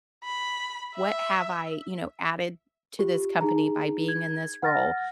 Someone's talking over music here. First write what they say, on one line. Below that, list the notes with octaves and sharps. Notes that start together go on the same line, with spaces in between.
what have I, you know, added to this company by being in this role?"
B5
E5
F4 G4
D#4 G#4 A#5
G#6
F#5 F6 A6 A#6